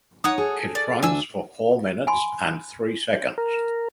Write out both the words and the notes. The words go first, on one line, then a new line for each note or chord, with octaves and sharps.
It runs for four minutes and three seconds.
D#4 C#5 F#5 D#6
G#4 A4
D5
D2 D4 G#5 E6
G#5 B5 C6
A#4